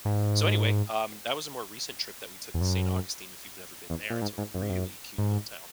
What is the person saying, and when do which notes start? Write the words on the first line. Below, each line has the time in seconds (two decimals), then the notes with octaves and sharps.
so, anyway, um, that was a more recent trip that we took to Saint Augustine, if you've never been there, it's a really cute little town.
0.05 G#2
2.54 E2
2.61 F#2
3.90 E2
4.10 A#2
4.22 G#2
4.38 G#2
4.54 F#2
4.62 G#2
4.70 F#2
5.18 G#2